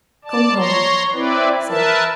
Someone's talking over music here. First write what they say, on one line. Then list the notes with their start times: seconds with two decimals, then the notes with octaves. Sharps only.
"Come home," he said.
0.25 D5 A5
0.56 C#5 A#5 C6
1.13 C4 E4 B4 D5
1.68 A#4 B4 E5 A5